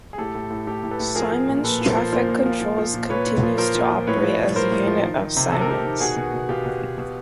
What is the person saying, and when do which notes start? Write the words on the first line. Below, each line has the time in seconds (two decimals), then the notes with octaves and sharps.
Siemens Traffic Controls continues to operate as a unit of Siemens.
0.13 G#4
0.18 A2 G4 A4
0.35 A2
0.51 A2
0.67 A2 G4 A4
0.84 A2
0.91 A4 B4
1.00 A2
1.15 F3 G#4 A#4
1.32 F3
1.48 A#2
1.64 A#2 A4 B4
1.81 F3
1.89 A#4 C5
1.97 F3
2.13 A#2 A#4 C5
2.28 A#2
2.46 F3
2.61 F3
2.78 F3
2.94 A#2
3.10 A#2 B4 C#5
3.26 A#2
3.43 F3
3.58 F3 A#4 C5
3.75 A#2
3.91 F3
4.07 A2 B4 C#5
4.23 F3
4.39 F3
4.55 A2 A#4 C5
4.71 A2
4.87 F3
5.04 D#3
5.21 D#3
5.37 C3
5.52 C3 A4
5.61 A#4
5.69 C3 G4 A4
5.85 D#3
6.00 B2 F#4 G#4
6.17 B2
6.34 B2
6.49 B2 F4 G4
6.66 B2
6.82 B2
6.98 B2